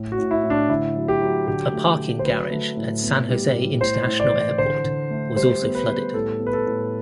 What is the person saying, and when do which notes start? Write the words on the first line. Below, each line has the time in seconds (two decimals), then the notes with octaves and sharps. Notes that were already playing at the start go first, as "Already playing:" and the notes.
A parking garage at San Jose International Airport was also flooded.
Already playing: A2
0.12 F#4
0.18 A2
0.31 E4
0.44 A2
0.50 D4
0.69 D3 E4
0.96 F#3
1.08 G4
1.21 F#3
1.48 D3 G4
1.73 A3
1.99 D3
2.19 C5
2.25 F#3 B4
2.51 A3
2.77 A2
3.03 B3
3.29 G3
3.54 A2
3.80 A2 C5
4.07 A2
4.20 D5
4.33 E3
4.58 D3 C5
4.85 D3
5.11 A3
5.36 G3 C5
5.62 B3
5.75 B4
5.88 G3
6.14 A2 A4
6.40 B3
6.47 B4
6.53 A4
6.66 A2